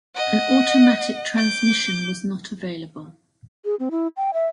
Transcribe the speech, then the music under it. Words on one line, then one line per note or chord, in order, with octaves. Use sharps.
An automatic transmission was not available.
D#5 F#5
D6 G6
G#4
C4
E4
G5
E5